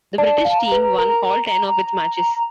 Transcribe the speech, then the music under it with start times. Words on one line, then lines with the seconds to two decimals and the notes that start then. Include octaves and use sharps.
The British team won all ten of its matches.
0.18 D5 A5
0.45 F5 A5
0.59 A#5
0.72 B4
0.98 A#4 A#5